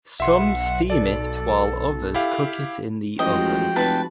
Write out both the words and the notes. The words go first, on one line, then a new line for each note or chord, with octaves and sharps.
Some steam it while others cook it in the oven.
B1 E5 F#5 C6
A4 D5
E4 G4 F5
A1 F3 G#3 F#4 D#5 G5
F1 B4 A5